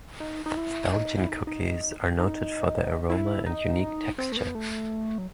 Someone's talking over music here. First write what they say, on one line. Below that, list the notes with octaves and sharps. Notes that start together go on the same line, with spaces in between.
Belgian cookies are noted for their aroma and unique texture.
D#4
D#4
E4
D#4
E4
D#4
D#4
D#4
E4
D#4
C4
A3
B3
A3
F#3